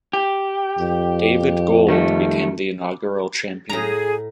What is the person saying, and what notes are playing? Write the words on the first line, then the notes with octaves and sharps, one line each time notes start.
David Gold became the inaugural champion.
G4
F2
D#3 G3 A3
A2 G#4 A#5